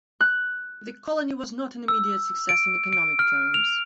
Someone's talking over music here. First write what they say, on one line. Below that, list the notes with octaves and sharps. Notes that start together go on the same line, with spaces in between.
The colony was not an immediate success in economic terms.
F#6
E6
D7
D7
F6
F7